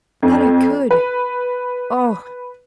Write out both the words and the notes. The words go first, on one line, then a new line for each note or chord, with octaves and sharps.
That I could!--Oh!
F2
B4